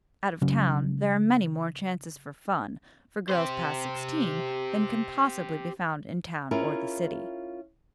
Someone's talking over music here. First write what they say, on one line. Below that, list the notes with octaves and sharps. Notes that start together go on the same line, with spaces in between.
Out of town there are many more chances for fun for girls past sixteen than can possibly be found in town or the city.
C#3 F#3 C#4
G4 C5
C#4 E4 F4 G#4 A#4